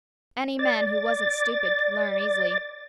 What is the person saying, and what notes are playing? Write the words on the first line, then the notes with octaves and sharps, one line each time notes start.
Any man who wasn't stupid could learn easily.
D5 A6